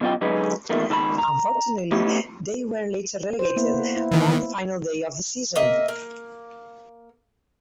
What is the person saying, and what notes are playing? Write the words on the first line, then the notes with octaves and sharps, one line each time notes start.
Unfortunately they were later relegated on the final day of the season.
B2 F#3 C#4 F4 D#5 G5
D3 F#3 G#3 C#4 D#4 B4
E2 A#2 D#3 A3 A#3
C#2 D#3 A4 A5 B5
A#5
A3 B3 C#4 D#4 F#4 G4
C5
A#3 B3 E4
E4
D#3 E3
A#3 D#5 E5
A#3